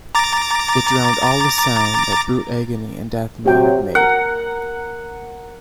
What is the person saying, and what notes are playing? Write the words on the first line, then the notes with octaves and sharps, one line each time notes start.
It drowned all sound that brute agony and death may have made.
A#5 D6 A6
C3 F#3 G4 G5
A#4 F#5